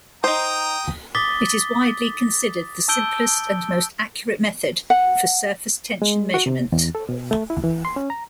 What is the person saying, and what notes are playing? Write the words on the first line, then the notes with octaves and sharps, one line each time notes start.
It is widely considered the simplest and most accurate method for surface tension measurement.
D#4 C5 G5 A#5 D#6
D6 D#6 A6 B6 G7
A5 E6 G6 D7 G7
F#5
G#3
F#4
C3
E2
A4
B2
A3
E4
E3
C6
C#4
A#5